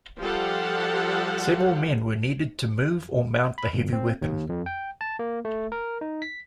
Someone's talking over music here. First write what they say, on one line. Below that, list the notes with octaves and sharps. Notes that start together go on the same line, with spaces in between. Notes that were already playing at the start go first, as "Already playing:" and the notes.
Several men were needed to move or mount the heavy weapon.
F3 G3 G4 A4 F5 F#5
B5
G1
C4
D#2
F2
G5
A5
A#3
A3
A#4
D#4
B6